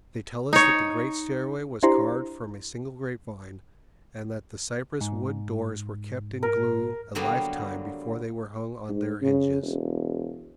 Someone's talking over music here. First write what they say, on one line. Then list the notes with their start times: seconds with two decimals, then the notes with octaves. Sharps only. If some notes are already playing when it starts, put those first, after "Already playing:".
They tell us that the great stairway was carved from a single grapevine and that the cypress wood doors were kept in glue a lifetime before they were hung on their hinges.
0.53 D#4 C#5
1.83 D4 E4 G4 C5 A#5 C6
5.01 G#2
6.43 A#4
7.15 D3 F#3 G3 A#3 B3
8.89 G#2
9.22 C#3
9.63 E1